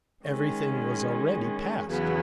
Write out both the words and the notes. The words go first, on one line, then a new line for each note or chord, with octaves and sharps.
Everything was already past.
D#3 G#3 C#4
E2 C#3 F#3 B3